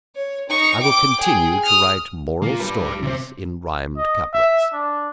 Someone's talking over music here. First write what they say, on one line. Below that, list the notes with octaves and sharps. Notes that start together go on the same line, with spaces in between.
I will continue to write moral stories in rhymed couplets.
C#5
D#4 C#6
G5 D6
G#4 G5
D#6 F6
A#3 F4
G3 B4
C3 C4
D#5
E5
D4